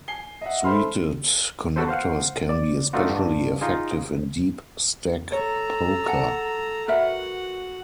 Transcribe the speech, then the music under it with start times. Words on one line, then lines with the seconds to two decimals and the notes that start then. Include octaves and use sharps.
Suited connectors can be especially effective in deep stack poker.
0.08 G#5 C7 G7
0.41 D#5 E5 F#5
0.64 A4 C5 E5 B5 C6 F6
1.76 F#4 A4 B4 C5
1.88 C5 F5 F#5
2.49 D5
2.93 A3 D4 D#4 F4 F#4
3.10 G2
3.61 D#4 F4 G#4
5.32 A4 C#5 A#5
6.08 F#5 A5
6.88 F#4 A#4 B4 E5 F#5